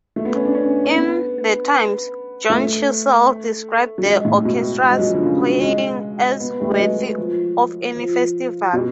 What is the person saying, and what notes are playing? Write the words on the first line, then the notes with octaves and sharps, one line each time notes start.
In "The Times", Joan Chissell described the orchestra's playing as "worthy of any festival".
A3
B3
C#4
D4
C#4
C#4
B3
A3
F#3
G#3
A2
B2
G#3
F#3
F3
D3
C#3
G#3
B3
A3
G#3
F#3
F3
F3
B2